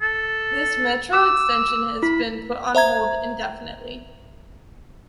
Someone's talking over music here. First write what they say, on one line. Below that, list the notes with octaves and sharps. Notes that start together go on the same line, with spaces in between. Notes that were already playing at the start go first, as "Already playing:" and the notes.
This Metro extension has been put on hold indefinitely.
A4
D6 E6
E4 B5
C5 E5 A#5 G#6